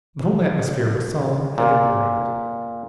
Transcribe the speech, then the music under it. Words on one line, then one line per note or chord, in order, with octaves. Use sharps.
The whole atmosphere was solemn and important.
A#2